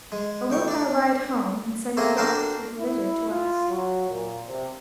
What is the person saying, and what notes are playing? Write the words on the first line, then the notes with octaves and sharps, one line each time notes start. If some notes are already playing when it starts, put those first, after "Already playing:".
Or wilt thou ride home and send folk with a litter to us?
G#3
D2 G5 C#6
D4 D5
A3 A#3 C4 G#4 A#4
D4 F#4 A4 A#4 C5 G5
E4
F4
F#3
A#2
C3